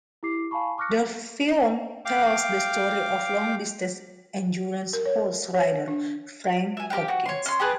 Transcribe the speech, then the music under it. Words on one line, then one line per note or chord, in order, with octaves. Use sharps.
The film tells the story of long-distance endurance horse rider, Frank Hopkins.
E4 G4 D6 C7
F5 G#5 A5 B5 C#6
C#6 D6 F6 F#6 A#6 C#7
F5 G5 D6
A#4
C#5
C#5
D4
E5 G#5
G4 B4 F5 G5
F#4
C#5 C6
C#4 C6
G4 G#4 B4 A5